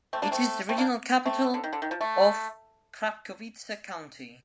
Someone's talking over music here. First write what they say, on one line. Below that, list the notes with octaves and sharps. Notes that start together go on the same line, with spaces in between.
It is the regional capital of Krapkowice County.
A3 C4
A#3 D4
A3 C4
A3 C4
A#3 D4
A3 C4
D3
D#3
D3
D#3
F3
A3